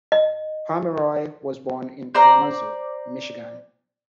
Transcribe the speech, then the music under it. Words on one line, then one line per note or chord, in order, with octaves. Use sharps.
Pomeroy was born in Kalamazoo, Michigan.
D#5
C5 D5 A#5